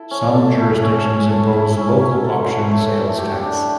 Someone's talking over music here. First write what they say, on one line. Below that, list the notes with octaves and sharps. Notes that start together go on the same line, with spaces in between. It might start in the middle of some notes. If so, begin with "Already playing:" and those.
Some jurisdictions impose local option sales tax.
Already playing: E4 A4
C#4
A4
E4
C#4
C#4
A4
E4
C#4
C#4
A4
E4
A3
A3
G4
D4